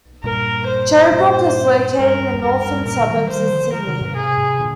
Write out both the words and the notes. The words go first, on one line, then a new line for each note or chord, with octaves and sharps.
Cherrybrook is located in the Northern Suburbs of Sydney.
G2 A#2 A#4
C5
G2 A#2
G2 A#4
G2
G2 A#4
G2
G2 A#2 A#4
A#2 D3
F3
D#3 G3
D#3 G3 C5
D3 F3
D3 F3 A#4
C3 D#3
G#2 C3
G#2 C3 G#4
G#2 C3
A#2 D3